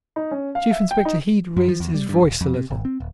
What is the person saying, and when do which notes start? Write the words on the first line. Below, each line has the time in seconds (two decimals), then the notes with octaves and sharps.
Chief Inspector Heat raised his voice a little.
0.16 D#4
0.31 C#4
0.55 F5
0.71 E5
0.91 G5
1.05 D#4
1.57 F#2
1.68 F3
1.80 E2
1.94 G3
2.09 G2
2.22 D#1
2.41 F2
2.54 C3
2.70 G#1
2.85 C4
3.00 D#1